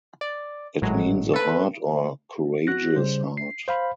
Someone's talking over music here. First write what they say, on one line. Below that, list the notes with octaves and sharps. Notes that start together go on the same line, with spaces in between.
It means a heart or courageous heart.
D5
G#1 A2 F#3 G#3
A4 B4
F#4 F#6 A#6
C#3 G3 C5
C7
C5 F5 B5